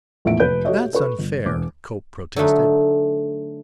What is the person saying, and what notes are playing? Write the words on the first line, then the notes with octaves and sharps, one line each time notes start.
"That's unfair," Cope protested.
A#1 E2 A2 A#3 E5 D7
F1 B4 G6
F#4 G4 A4 C#5 D#5 E5
A4 B4 C#6
G1
E1 D6
D3 F#3 A3 D#4